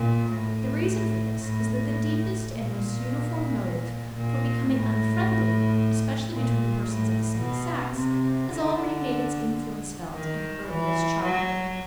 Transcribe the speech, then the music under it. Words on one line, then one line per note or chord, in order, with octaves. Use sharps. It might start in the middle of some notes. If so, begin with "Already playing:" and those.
The reason for this is that the deepest and most uniform motive for becoming unfriendly, especially between persons of the same sex, has already made its influence felt in earliest childhood.
Already playing: A#2
A2
A2
A#2
A#2
A2
A#2
A2
B2
C3
D3
D#3
E3
F#3